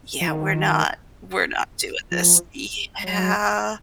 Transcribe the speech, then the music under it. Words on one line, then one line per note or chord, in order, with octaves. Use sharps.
"Yeah, we're not we're not doing this." Yeah.
F3
D#3
F3
F#3